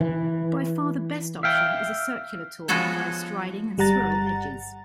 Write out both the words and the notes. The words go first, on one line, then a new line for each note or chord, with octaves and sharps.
By far the best option is a circular tour via Striding and Swirral Edges.
E3
E5 F5 G5
F3 G#3 B3 F#4 A4 C#5
G1 G3 F#5 A#5 A6